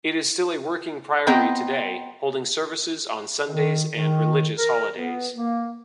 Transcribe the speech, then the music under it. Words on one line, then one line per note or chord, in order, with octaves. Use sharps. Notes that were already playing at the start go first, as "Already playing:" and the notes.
It is still a working priory today, holding services on Sundays and religious holidays.
B3 C4 D#5 G5 A#5
D#3
D#3
A#4
B3
A#3